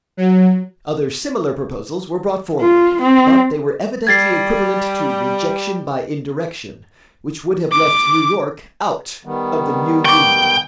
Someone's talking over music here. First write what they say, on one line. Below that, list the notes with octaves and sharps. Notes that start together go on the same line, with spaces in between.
Other similar proposals were brought forward, but they were evidently equivalent to rejection by indirection, which would have left New York out of the new Union.
F#3
F4
C4
G3 G#6 A6 C7
D6
D#3 G3 B3
G5 C#6 D6